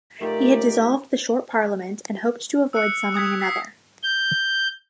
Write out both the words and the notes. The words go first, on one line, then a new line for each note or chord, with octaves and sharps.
He had dissolved the Short Parliament and hoped to avoid summoning another.
A3 D#4 F4 G4 A#4 D5
E6 F#6 C#7
D#6 E6 G#6 B6
E6 B6 C7
G6